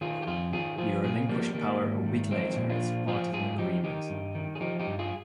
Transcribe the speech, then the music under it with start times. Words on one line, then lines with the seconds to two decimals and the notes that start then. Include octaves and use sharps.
He relinquished power a week later as part of an agreement.
0.01 D#3 F4 G#4
0.22 G4
0.27 F2 F4 G#4
0.52 D#3 F4 G#4
0.78 F3 F4 G#4
1.03 A#2 F4 G#4
1.29 F3 G3 A#3
1.54 D#3 G3 A#3
1.80 G#2
2.06 D#3
2.31 F3 G#3 C4
2.56 A#2
2.69 D4 F4
2.82 F3
3.07 F3 F4 G#4
3.33 G#2 F4 G#4
3.58 F3 D#4 G4
3.83 D#3 D#4 G4
4.10 G2
4.35 D#3
4.55 G#4
4.61 F3 D#4 G4
4.79 D#4 G4
4.87 G2
4.99 F4 G#4